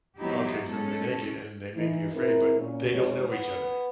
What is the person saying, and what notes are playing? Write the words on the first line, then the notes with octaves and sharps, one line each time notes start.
Okay, so they're naked, and they may be afraid, but they don't know each other.
F#3 B3 D#4 E4 G4
G#3 C#4 A4
E3 D#4
G#2 C4 E4 A#4
A#2 C#4
F2 G#3 D#4 F4 C#5
B3